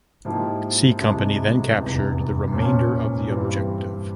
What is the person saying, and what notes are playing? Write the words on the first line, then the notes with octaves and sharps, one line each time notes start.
C Company then captured the remainder of the objective.
G#2 F3 A#3 E4 G4
C2 C3 F3 G#3 E4
F1 E2 C3
A#2 F3 A#3 C#4
G2 E3 G3 C4